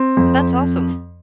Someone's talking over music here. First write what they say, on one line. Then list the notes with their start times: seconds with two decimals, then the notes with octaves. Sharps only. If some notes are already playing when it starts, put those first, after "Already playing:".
That's awesome.
Already playing: C4
0.17 F2